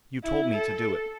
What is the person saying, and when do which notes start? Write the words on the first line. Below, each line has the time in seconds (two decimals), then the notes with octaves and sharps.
"You told me to do it."
0.23 E4
0.53 A4